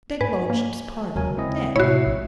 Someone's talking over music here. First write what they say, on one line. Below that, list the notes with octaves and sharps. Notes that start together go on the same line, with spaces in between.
"Begludship's pardon--dead."
G#2 B4 G#5
A#3
D#2 C#3 F#3 G#3 A#4 G#5
C4 E4 D#5
A2 C3 G#3 E4 F#4 C#5 E5 C7
A#1